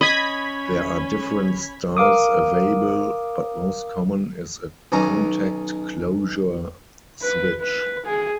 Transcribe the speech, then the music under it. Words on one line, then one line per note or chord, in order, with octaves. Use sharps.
There are different styles available but most common is a contact closure switch.
C#4 D#5 B5 G#6 B6
A#4 F5 D6 D#6
B1 D#3 C#4 A#5 C#6
B4
B4
G#4